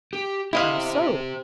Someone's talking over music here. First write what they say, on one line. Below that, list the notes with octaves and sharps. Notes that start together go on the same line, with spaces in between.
How so?
G4
E4 G4 C5 D#5 F5